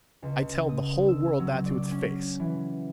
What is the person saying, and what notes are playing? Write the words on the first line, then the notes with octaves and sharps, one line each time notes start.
I tell the whole world that to its face!
C#2
D#6
E6
F#3
D5
C#4
E3